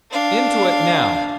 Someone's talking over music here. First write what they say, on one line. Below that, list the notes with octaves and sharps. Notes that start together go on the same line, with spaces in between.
Into it, now!
D4 F5